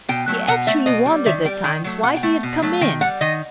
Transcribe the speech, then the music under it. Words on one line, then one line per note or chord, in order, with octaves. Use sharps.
He actually wondered at times why he had come in.
B2 G5
F#3 A3
B2 F#5
A3 E5
B2 D#5
G3
D#3 E5
G3 G5
D#3 G5
F#3 A3
B2 F#5
G5
A3
B2
F#3 A3
D#3 G5
G3 F#5
D#3 D#5